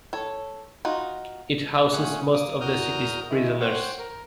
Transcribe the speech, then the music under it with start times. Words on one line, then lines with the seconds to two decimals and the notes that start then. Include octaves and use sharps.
It houses most of the city's prisoners.
0.13 A4 C#5
0.85 D#4 F4 F#4
1.92 A#2 D3 A3 C#4 G#4 F#5
2.34 A#3 D6 D#6
2.61 E2 F#4 A#4 D#6 F6 G6
3.30 D#3 G#3 E4
3.60 C5 C#5 F#5 G5
3.99 A#4